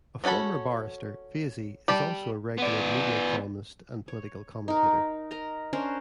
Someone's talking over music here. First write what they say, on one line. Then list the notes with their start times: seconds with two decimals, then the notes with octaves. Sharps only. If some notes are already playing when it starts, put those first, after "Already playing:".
A former barrister, Vaizey is also a regular media columnist and political commentator.
0.24 C4 C#4 F#4 A4 B5
1.88 G3 G4 A5
2.58 B3 D5
4.08 C#5
4.68 D#4 A#4
5.31 A#4 D#5 A#5
5.73 C#4 D4 A#4 C5